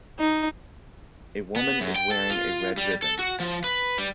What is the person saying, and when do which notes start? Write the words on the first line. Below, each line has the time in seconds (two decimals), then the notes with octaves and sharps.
A woman is wearing a red ribbon.
0.20 D#4
1.56 B3
1.81 F#2
1.96 G5
2.11 A4
2.30 F4
2.78 G3
3.02 A4
3.19 F#4
3.40 F3
3.64 B4
3.98 G3